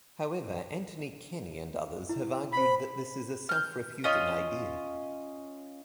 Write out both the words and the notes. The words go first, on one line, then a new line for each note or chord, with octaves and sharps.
However Anthony Kenny and others have argued that this is a self-refuting idea.
E4
C5 B5 B6
F6 G6
C#4 F4 D#5